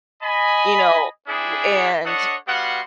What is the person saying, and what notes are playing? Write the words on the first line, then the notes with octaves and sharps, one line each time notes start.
you know, w and,
D#5 G#5 B5
C4 D4 E4 G#4
D4 A4 C#5 D#5 F#5
G3 B3 F#4 F5 F#5 C6